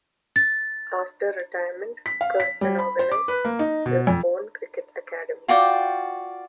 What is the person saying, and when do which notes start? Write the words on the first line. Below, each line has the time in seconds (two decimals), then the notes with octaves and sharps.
After retirement, Kirsten organized his own cricket academy.
0.36 A6
2.06 B6
2.21 F5
2.40 B6
2.61 G3
2.79 B5
2.99 C5
3.12 D6
3.28 B4
3.45 A#3
3.59 D#4
3.86 B2
4.07 F2
5.48 F4 F#4 D5 G5